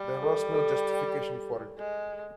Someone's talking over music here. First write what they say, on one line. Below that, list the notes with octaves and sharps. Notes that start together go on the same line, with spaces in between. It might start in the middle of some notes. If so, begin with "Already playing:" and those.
There was no justification for it.
Already playing: G3
A4
A4
G#3